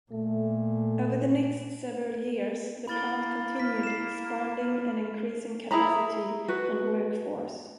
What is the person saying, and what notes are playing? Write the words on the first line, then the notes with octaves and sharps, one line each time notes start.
Over the next several years the plant continued expanding and increasing capacity and workforce.
A#2 A3
A#3 E4 B5 A6 G7
F6 B6
C7 E7
E4 G#4 A#5 B5
F#4 B4